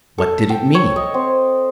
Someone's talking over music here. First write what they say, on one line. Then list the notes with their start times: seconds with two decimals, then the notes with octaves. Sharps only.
What did it mean?
0.18 A4
0.50 G5
0.75 C#5
0.96 D#5
1.14 C4